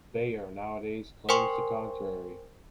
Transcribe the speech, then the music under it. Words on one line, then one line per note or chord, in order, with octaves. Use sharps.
Bayer nowadays claims the contrary.
A#4 C5 G5 G#5 C6 C#6